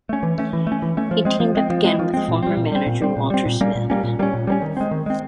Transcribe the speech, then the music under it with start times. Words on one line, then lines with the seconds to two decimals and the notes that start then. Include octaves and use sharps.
He teamed up again with former manager Walter Smith.
0.09 A3 C#4
0.23 E3
0.38 A3 C#4
0.53 E3
0.67 A3
0.72 C#4
0.82 E3
0.97 A3 C#4
1.11 F3
1.25 G#3 C4
1.40 F3
1.55 G#3 C4
1.70 F3
1.84 G#3 C4
1.99 F3
2.14 G#3 C4
2.28 A#2
2.43 G3 C4
2.57 A#2
2.72 G3 C4
2.86 A#2
3.02 G3 C4
3.17 A#2
3.30 G3 C4
3.46 A#2
3.61 G3 A#3 C#4
3.75 A#2
3.90 G3 A#3 C#4
4.03 A#2
4.19 G3 A#3
4.23 C#4
4.34 A#2
4.47 G3 A#3 C#4
4.62 D#3
4.77 G#3 C4
4.91 D#3
5.06 G#3 C4